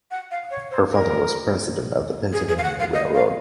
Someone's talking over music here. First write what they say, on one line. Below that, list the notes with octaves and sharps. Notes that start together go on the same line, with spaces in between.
Her father was president of the Pennsylvania Railroad.
F#5
F5
C#5
C5
A#4
G#4
G#4
F5
F#5
F5
D#5
F5